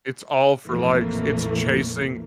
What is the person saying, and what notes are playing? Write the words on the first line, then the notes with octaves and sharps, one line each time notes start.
It's all for, likes, it's chasing
A#1 F2 A2 E3 A3 A#3